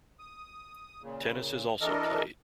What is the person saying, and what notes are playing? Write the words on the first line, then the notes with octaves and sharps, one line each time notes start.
Tennis is also played.
D#6
A#2 C#3
E3 D4 A4 A#4 D#5